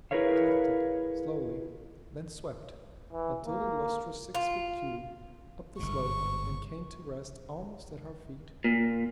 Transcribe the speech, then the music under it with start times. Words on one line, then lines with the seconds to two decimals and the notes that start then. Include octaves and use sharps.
It lifted, slowly; then swept, a dully lustrous six-foot cube, up the slope and came to rest almost at our feet.
0.11 E4 G#4 A#4 B4 C#5 F5
3.13 E3
3.45 A#3
4.35 F4
5.79 G1 G#2 C#6
8.64 A#2